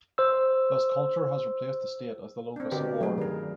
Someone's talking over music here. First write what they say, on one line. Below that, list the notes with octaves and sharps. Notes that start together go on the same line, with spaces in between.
Thus, culture has replaced the state as the locus of war.
C5 E6
C4 D4
B2 D3 G4 A#4
F#3 A3 G#4
G2 D#3 A#4